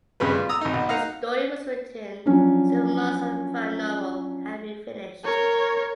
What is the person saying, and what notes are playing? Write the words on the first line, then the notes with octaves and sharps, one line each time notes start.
The story was written several months after the prior novel had been finished.
G#1 G2 C#3 G3 B4
F4
A#5 D#6 E6
G#1 D#4
B1
D#4 F5 F#5 A#5
F3 F#3 C#4 D4
A#4 C#5